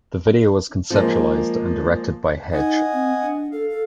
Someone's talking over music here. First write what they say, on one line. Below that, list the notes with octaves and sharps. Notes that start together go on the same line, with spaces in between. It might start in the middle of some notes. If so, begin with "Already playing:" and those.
The video was conceptualized and directed by Hegde.
F3 G#3 A#3
D#4 D#5 F#5 G#5
C4
D4
A4 F5
A4